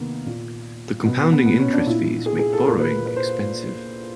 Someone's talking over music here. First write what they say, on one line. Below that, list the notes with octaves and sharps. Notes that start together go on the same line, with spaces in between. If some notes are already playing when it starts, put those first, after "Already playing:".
The compounding interest fees make borrowing expensive.
Already playing: C3 D#3 A#3 B3
A#2
B2 B3
B3
B3
B3
C#4
D4
A#2 E4
G#4
G#4
A4
A#2 A#4
B4
B4
C5